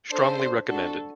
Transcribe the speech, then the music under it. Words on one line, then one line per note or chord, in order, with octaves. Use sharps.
Strongly recommended.
D4 A4 C5
D4 F#4 A4